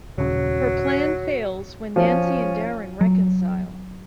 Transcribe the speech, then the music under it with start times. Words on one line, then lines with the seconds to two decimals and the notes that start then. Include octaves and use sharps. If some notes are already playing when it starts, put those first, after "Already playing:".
Her plan fails, when Nancy and Darren reconcile.
0.18 D#1 C#3 F#3
1.96 F3 C#4
3.01 F#3